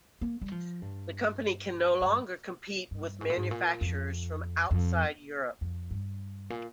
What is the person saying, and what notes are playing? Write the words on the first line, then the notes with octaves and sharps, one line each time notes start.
The company can no longer compete with manufacturers from outside Europe.
A#3
G3
F3
G2
G2
G2
G#2
A#2
G#2
A#2
F2
F2
F2
G2
A#2